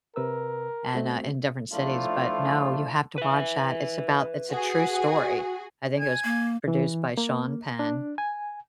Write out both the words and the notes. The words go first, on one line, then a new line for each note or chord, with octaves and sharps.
and, uh, in different cities. But no, you have to watch that, it's about it's a true story, I think it was p produced by Sean Penn,
C3 A#4 B4 E6
A3 C4 F#4
B1 F3 A3 D4 E4 F4
B4 E5
F#4 G#4
G#5
A#3
E3
A#3
D4
G#5